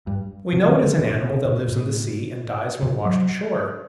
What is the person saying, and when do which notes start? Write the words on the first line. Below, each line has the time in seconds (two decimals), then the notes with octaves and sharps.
We know it is an animal that lives in the sea, and dies when washed ashore.
0.07 G2
0.53 C3
0.68 D#3
0.83 D3
0.98 A#2
1.10 A#2
1.21 C3
1.33 C3
1.45 A#2
1.68 A2
2.83 C3
3.05 F#3